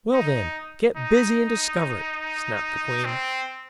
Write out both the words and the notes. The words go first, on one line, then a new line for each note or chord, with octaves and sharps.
"Well, then, get busy and discover it," snapped the Queen.
D#4
D#4
C4